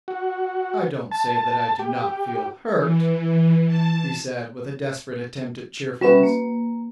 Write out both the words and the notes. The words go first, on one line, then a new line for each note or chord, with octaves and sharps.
"I don't say that I do not feel hurt," he said, with a desperate attempt at cheerfulness.
F#4
A5
G4
E3
A5
G3 C#4 F#4 B4 E5
A#3